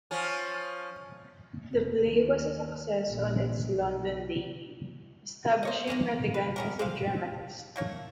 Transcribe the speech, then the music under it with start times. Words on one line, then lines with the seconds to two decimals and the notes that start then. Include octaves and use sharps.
The play was a success on its London debut, establishing Rattigan as a dramatist.
0.11 F3 C#4
1.73 F1
2.03 D#2
3.09 A#1
3.76 B1
5.63 C5 C#5 D#5
5.87 D#3 G#3 A#3 C4
6.34 B4
6.56 B3 C#4 A#4
6.79 C3 C5 F5
7.76 A3 A#3 C#5